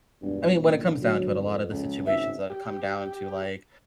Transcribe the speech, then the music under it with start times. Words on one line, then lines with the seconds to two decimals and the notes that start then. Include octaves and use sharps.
I mean, when it comes down to it, a lot of the situations that come down to, like,
0.22 E1 G2
0.59 G1 A#2
1.01 F#3
1.39 F2
1.71 C#2
2.06 G#1 C#2 E5
2.50 G4